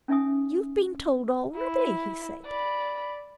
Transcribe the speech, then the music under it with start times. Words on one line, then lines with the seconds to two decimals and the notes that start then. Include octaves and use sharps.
'You have been told already?' he said.
0.08 C#4 D#4 D5 E5 G#5 D#6
1.56 E4
2.46 D5 B5